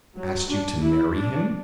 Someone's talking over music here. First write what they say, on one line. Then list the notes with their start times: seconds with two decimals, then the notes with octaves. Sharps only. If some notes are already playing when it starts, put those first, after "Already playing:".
"Asked you to marry him?"
0.16 F#3
0.49 D4
0.82 E4
1.15 D4